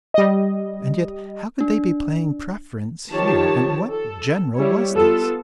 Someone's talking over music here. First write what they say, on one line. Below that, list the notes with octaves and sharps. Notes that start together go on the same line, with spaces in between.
And yet how could they be playing preference here and what general was this?
G3 D#5
D4
D#3 F3 G4 C#5 A5
A4
G3 E4 C#5
B3 F4 A4